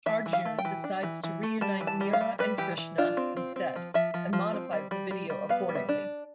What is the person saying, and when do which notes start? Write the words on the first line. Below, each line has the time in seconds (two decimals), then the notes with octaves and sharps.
Arjun decides to reunite Meera and Krishna instead and modifies the video accordingly.
0.06 E3 E5
0.26 E3
0.33 F5
0.45 A3
0.59 G5
0.65 E3
0.84 D4
1.03 E3
1.24 E3
1.43 A3
1.61 G3 A5
1.81 E3
1.87 A5
2.01 G3
2.13 F5
2.21 G3
2.39 G3 B4
2.58 E3 G4
2.78 E3
2.98 D4 F4
3.17 C4
3.37 C4
3.56 C4
3.76 F3
3.94 F3 E5
4.14 F3
4.33 F3
4.53 C4
4.73 G3
4.91 G3
5.11 G3
5.30 G3
5.49 B3 F5
5.69 G3
5.75 E5
5.89 D4